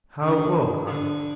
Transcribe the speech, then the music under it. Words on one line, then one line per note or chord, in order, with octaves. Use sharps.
"How old are you?"
D3
D3